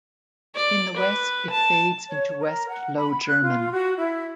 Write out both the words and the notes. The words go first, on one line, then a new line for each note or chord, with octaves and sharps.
In the West it fades into West Low German.
D5
B4
A5
C#5
A#4
F#5
B5
F#6
F4
F#4
E4